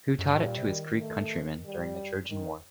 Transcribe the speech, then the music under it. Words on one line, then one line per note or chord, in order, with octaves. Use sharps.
Who taught it to his Greek countrymen during the Trojan War.
F#2
G2
A2 G3
A#2
C3
D#3
A3
G3
A2
G2
F#2
D#3